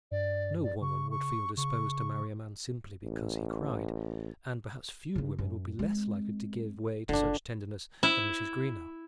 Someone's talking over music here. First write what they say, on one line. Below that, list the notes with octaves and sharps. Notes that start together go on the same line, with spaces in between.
No woman would feel disposed to marry a man simply because he cried, and perhaps few women would be less likely to give way to such tenderness than Mrs. Greenow.
G2 D5
D5
C#3 C#6
C#6
C#3 C#6
A1
C#3 D4
F#2
G#3 C4
F#1 D3 D4 F4
E4